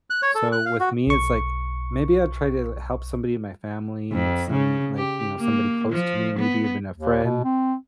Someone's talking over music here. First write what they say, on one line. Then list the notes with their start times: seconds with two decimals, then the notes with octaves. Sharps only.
So with me, it's like, maybe I'd try to help somebody in my family, some, like, you know, somebody close to me, maybe even a friend,
0.10 F#6
0.23 C#5
0.35 A4
0.52 F#6
0.66 F5
0.80 F#4
1.07 B1 C#6
4.12 F2
4.51 C#3
4.97 G4
5.39 A#3
5.92 F3
6.39 B3
6.96 D#2
7.24 B2
7.44 C4